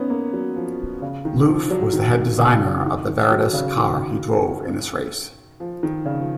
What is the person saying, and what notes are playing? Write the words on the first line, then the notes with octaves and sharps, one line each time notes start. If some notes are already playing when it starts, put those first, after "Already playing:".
Loof was the head designer of the Veritas car he drove in this race.
Already playing: B3 C#4 D#4
A#3
F#3
F3
C#3
D#3
F3
F#3
D#3
C#3
C#3
D#3
D#3
F#3
C#3
D#3
F3
D#3
C#3
F3